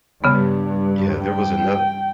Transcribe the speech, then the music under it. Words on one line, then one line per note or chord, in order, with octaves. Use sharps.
yeah, there was another
G2 C#3 B3
G5